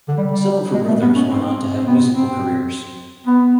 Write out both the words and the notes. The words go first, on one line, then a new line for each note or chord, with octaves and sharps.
Some of her brothers went on to have musical careers.
D3
G3
G3
G#3
A3
B3
C#4
C4
C4
B3
C4
B3